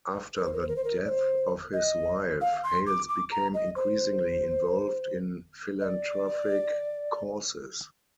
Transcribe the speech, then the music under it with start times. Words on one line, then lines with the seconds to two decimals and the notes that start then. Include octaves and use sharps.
After the death of his wife, Hales became increasingly involved in philanthropic causes.
0.37 A#4
0.45 C5
0.53 A#4
0.61 C5
0.68 A#4
0.76 C5
0.84 A#4
1.05 D5
1.09 C5
1.73 D#5
2.41 F5
2.64 C6
2.86 D6
3.08 D6
3.31 A#5
3.54 D#5
3.76 C5
5.80 D#5
5.85 D5